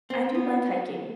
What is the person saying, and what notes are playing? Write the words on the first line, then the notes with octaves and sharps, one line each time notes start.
I do like hiking.
C4
B3